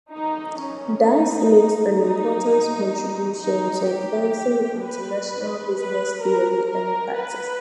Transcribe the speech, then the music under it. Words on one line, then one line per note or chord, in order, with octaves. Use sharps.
Thus makes an important contribution to advancing international business theory and practice.
D#4
C#4
D#4
D#4
D#4
G4
B4
B4
A#4
A#4
B4